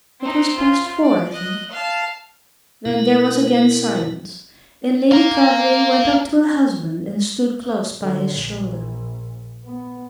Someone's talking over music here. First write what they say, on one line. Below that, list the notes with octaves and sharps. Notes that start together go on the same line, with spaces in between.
"It was past four, I think." Then there was again silence, and Lady Clavering went up to her husband and stood close by his shoulder.
C4 D#4
F4
D5
D#5 F#6
F5 A5
B2 B3 E4 A#4
F5 A#5
D3
A#1
B3